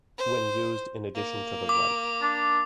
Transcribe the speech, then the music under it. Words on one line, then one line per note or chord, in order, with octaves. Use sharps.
When used in addition to the right.
C5
A#3
D6
D4